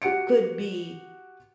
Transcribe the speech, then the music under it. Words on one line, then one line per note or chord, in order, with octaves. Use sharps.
could be
F#4 G4 F#5 C#7 D7